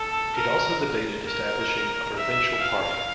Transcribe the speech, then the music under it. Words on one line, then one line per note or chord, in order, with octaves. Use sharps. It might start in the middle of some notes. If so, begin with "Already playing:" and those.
It also debated establishing a provincial party.
Already playing: A4
A#4
A#4
E5
F5